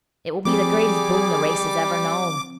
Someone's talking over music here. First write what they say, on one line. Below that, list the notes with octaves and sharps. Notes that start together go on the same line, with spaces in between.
It will be the greatest boon the race has ever known.
F3 G3 C4 G#4 D6